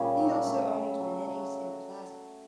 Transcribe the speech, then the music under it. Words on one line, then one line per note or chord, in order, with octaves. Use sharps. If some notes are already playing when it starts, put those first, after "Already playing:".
He also owned Manetti's in the Plaza.
Already playing: A#2 C#3 G3 C#5
F#3
A3
C#3
F#3
F#3